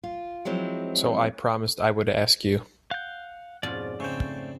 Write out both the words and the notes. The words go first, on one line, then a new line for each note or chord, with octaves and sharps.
So I promised I would ask you.
F4
F3 F#3 G#3 C4 E4
F5 F#5 G6
F2 G#2 B2 C#4 F4 D5
C#3 A3 C4 C#5 G5